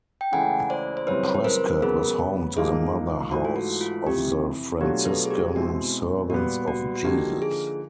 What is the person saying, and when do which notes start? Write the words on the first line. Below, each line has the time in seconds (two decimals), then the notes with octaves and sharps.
Prescott was home to the mother house of the Franciscan Servants of Jesus.
0.21 G5
0.33 C#2 C#3 E3 A3 F#5 G#5
0.70 C5 D5
0.97 C5
1.07 F#2 C#3 E3 G3 C4 B4 C#5
1.34 B4
1.45 A#4 C5
1.82 C#3 F#3 B3 G#4 A#4
2.56 G#2 F3 A#3 D#4 G#4
3.31 G#2 E3 A3 F#4
3.45 F4
3.56 F#4
3.81 F4
4.06 F2 C3 E3 G4
4.81 B2 F#3 A3 D4 F4 G4
5.05 A4 B4
5.26 G#4
5.31 G4
5.55 B2 G#3 C4 E4 F#4
6.30 A#2 G3 B3 F#4
6.68 F#4
6.96 F#4
7.04 D3 F3 A#3 D#4 G4
7.42 G#4